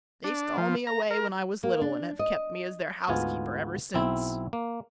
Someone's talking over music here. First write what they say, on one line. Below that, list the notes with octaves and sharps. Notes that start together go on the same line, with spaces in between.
'They stole me away when I was little, and have kept me as their housekeeper ever since.'
D4
F3
A#5
A#4
A#3
D4
D#5
D2 G#2 B3 F4 G#5
B1 C4 E4
A#3